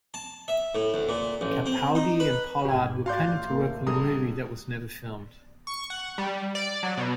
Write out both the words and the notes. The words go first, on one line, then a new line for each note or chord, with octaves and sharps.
Capaldi and Pollard were planning to work on a movie that was never filmed.
A5
E5
A2
D2
A#2
A1
C4
D#4
B4
A1 G#2 G4 G#5
A1 A3 F#4 D5 F5 C6 G6
A#3
D3 G3 G#4 A#5 D#6
C#6
F#5
G3
D5
F#3
B2